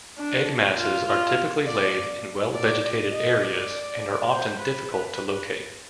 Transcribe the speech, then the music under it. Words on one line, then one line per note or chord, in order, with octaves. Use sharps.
Egg masses are typically laid in well-vegetated areas and are often difficult to locate.
D4
F4
F4
D5
D5
D5
D#5
D5
C5
B4